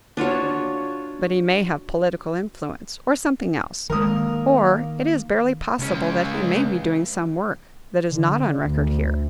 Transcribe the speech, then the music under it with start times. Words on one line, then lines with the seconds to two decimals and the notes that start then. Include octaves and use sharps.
But he may have political influence, or something else, or, it is barely possible that he may be doing some work that is not on record here.
0.17 D4 F4 F#4 C#5
3.90 D#3 G#3 A#3 A#4 D#6
5.79 C#2 C#4
8.11 D3
8.67 D2